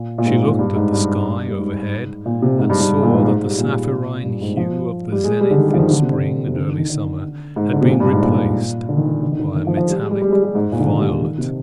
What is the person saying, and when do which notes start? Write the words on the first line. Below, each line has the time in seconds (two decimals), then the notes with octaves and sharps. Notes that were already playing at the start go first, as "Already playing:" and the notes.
She looked at the sky overhead, and saw that the sapphirine hue of the zenith in spring and early summer had been replaced by a metallic violet.
Already playing: A#2
0.18 A#2
0.26 G#2
0.43 G#2
0.59 G2
0.76 G#2
0.93 G2
1.48 G2
1.58 G#2
2.26 A#2
2.42 C3
2.59 G#2
2.70 G2
2.80 G2
3.03 A#2
3.13 G#2
3.25 G#2
3.36 G#2
3.47 G3
3.58 A#2
4.24 G2
4.42 G#2
4.57 F3
5.12 G3
5.24 G#3
5.41 G3
5.51 D3
5.57 D#3
5.68 G3
5.74 F3
5.79 D#3
5.90 D3
6.02 C3
6.13 D3
6.47 C3
6.56 D3
6.67 D#3
6.78 D#3
6.89 D3
7.56 G#2
7.73 D3
7.82 C3
7.90 A#2
8.00 G2
8.12 G#2
8.22 A#2
8.89 D3
8.97 D#3
9.06 D3
9.14 D#3
9.23 D3
9.31 D#3
9.40 D3
9.55 D#3
9.67 F3
9.77 F3
9.89 G3
9.99 G#3
10.11 G3
10.22 G3
10.29 G#3
10.32 G3
10.43 G3
10.55 G#2
10.72 A#2
10.80 D3
10.89 D#3
10.99 G3
11.10 G3
11.21 D#3
11.38 C3